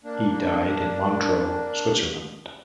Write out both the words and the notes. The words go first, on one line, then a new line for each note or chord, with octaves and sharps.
He died in Montreux, Switzerland.
A#3 D4